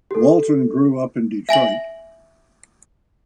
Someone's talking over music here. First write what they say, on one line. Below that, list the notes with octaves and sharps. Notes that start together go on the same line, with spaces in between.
Walton grew up in Detroit.
G4 A4
E5 G#5 A#6 F#7